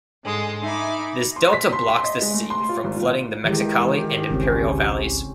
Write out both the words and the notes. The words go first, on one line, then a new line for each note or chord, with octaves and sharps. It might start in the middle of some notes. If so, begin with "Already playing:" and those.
This delta blocks the sea from flooding the Mexicali and Imperial Valleys.
G#2 D3 G#3 C6
D#4 E5 G#5 B5 D6
C6
B6
C6
C6
D#5
G#3
A3
C6
F4
G#1
A#2
D#3 E3 G#3 G4
G#1 C#2 C#3 C4 C#4